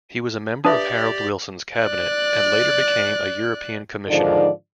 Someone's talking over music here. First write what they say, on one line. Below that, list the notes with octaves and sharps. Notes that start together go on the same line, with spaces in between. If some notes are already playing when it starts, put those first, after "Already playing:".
He was a member of Harold Wilson's cabinet, and later became a European Commissioner.
D4 G4 B4 D5 E5 F5 D#6
D5 F#6
G#2 D3 D#3 F3 D4 D5